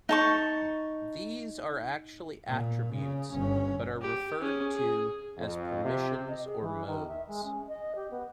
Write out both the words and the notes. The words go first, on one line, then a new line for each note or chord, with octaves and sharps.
These are actually attributes but are referred to as permissions or modes.
D#4 A5 C#6
A#2
C#3
G1 C#4
G4
C#4 G#4
G#4
F2
C3
D#5
G#4
E3
D#3
E5
G#3
C#4
D#5
G4
B3